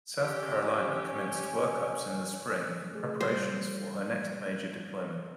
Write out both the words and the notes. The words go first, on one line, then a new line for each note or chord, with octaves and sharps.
"South Carolina" commenced workups in the spring in preparations for her next major deployment.
C#4 G4
A3 G#4
G3 C5